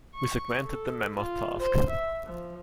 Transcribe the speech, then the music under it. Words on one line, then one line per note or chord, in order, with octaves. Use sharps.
We segmented the mammoth task.
C#6
A4
F4
C5
E5
F3